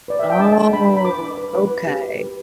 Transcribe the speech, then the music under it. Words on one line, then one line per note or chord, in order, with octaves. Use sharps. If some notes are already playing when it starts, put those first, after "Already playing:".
Oh. Okay.
B4 D5
B4 E5
G5
D4 A5
D4
D4 B5
B4
B5
B4 D6
D4
B4
B4
B4
G4
B4
B4